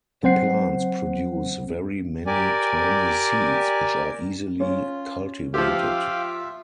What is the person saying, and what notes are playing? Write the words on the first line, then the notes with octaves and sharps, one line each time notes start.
The plants produce very many tiny seeds which are easily cultivated.
F#3 C4 C5 F#5 C7
G4 A#4 D5 G#5
C#4 F4 C#5
F3 F4 G4 E5 F5 G5 D6